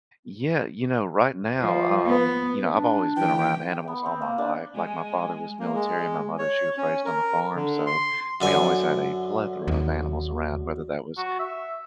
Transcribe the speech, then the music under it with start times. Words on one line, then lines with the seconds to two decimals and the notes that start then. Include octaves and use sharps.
Yeah, you know, right now, um You know, I've always been around animals all my life. Like, my father was military. My mother, she was raised on the farm, so we always had a plethora of animals around, whether that was
1.57 F3
2.06 B3
2.75 D4
3.16 E3 G5
3.88 B3
4.06 C4
4.22 A#3
4.38 D4
4.75 G#3 G#5
5.59 A#3
5.75 G#3
6.38 C#5
6.78 C#4
7.05 A#4
7.55 D3
7.86 C6
8.41 F#2 D3 G#5
9.67 D#2
11.17 F#4
11.39 E5